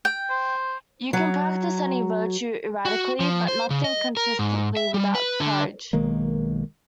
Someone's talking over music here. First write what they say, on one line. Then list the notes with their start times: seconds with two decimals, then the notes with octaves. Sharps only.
You can practice any virtue erratically, but nothing consistently without courage.
0.05 G5
0.30 C5
1.13 F#3
2.85 F#4
3.20 F3
3.48 C5
3.70 C#3
3.84 D#5
4.17 A#4
4.39 G#2
4.77 E5
4.94 G3
5.15 B4
5.40 D3
5.93 B1 D#3 G#3 A#3